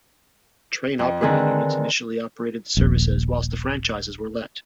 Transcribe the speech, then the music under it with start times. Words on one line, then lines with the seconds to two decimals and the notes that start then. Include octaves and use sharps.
Train Operating Units initially operated the services whilst the franchises were let.
0.99 F2
1.21 D3 D#3 C4 G#4 B4
2.77 D#1 A#1